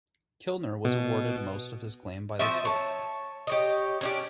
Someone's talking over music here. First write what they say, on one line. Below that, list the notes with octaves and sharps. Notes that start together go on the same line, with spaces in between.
Kilner was awarded most of his claim by the Court.
B2
F3 C4 F#4 E5
C#5 A5
G4 C#5 D#5
C#4 D4 G4